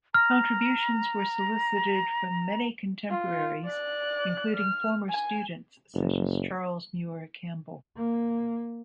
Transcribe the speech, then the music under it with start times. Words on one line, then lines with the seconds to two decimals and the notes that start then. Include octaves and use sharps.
Contributions were solicited from many contemporaries, including former students such as Charles Muir Campbell.
0.14 A#5 F6
3.10 F4
3.64 D5 F#6
4.56 F6
5.09 G#5
5.94 F#1
7.97 A#3